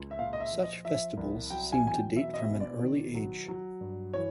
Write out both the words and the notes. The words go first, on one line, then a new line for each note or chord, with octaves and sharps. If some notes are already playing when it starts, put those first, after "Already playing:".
Such festivals seem to date from an early age.
Already playing: C#2
E5
A#2 F5
D#5
E5
F3
D#5
F3 E5
C2
F#3 G5
G#5
E2 G#5
G5
B2 E5
D#5
E5
B2
D5
D#3
F#3
F#3
G2
E3 C#5